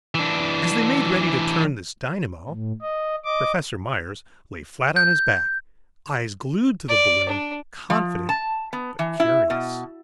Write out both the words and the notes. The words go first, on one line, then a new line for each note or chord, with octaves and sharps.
As they made ready to turn this dynamo, Professor Myers lay flat on his back, eyes glued to the balloon, confident but curious.
E3 D4
A2
D#5
D#5 D6
G6
D5
D4
F3
A5
B3
E3
E4
B2